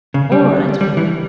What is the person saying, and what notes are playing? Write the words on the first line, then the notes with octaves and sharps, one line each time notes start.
'All right, Mother.
C#3
G3
G3
E3